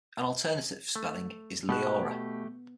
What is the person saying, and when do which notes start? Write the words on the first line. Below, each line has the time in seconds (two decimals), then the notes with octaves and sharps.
An alternative spelling is Liora.
0.96 A3
1.69 B2 A3 B3 G4 F#6